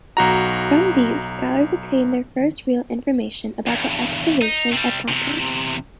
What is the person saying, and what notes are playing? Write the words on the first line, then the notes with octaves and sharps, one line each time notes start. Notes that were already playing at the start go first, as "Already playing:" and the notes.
From these, scholars obtained their first real information about the excavations at Pompeii.
B1 F#4 A#5
E2 G2
D#4
C3 G3
E2 C3